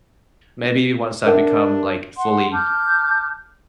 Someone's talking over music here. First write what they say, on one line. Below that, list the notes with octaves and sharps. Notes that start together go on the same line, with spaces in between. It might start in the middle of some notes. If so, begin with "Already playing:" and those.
maybe once I become like fully
D4 A#4 E5 F#5
F#5 C6
A5 D6 F6 G6